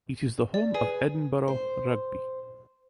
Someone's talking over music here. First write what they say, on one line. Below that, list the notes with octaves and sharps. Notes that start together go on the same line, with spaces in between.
It is the home of Edinburgh Rugby.
D5
G#4 B4
C5